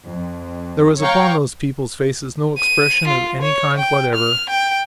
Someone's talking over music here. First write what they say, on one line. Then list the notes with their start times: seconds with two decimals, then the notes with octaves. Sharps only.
There was upon those people's faces no expression of any kind whatever.
0.10 F2
1.01 C#5 F5 G5 A#5 C#6
2.58 D#7
3.08 F4
3.42 C#5
3.78 G5
4.15 F6
4.50 G5